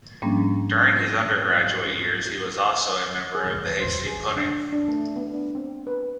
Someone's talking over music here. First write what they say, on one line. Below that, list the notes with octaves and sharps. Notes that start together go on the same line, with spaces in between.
During his undergraduate years, he was also a member of the Hasty Pudding.
G#2 F3 G3 A#3 C#4 D4
G#4
B4
C5
G#4
D4
D4
A3
B3
D4
C4
B4